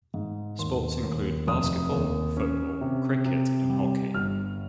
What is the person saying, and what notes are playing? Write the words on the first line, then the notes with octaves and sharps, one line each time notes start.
Sports include basketball, football, cricket and hockey.
G#2
D#2 C6
D#2
F1 D#6
D#2
C#4
C3
C3
G3
G1 F6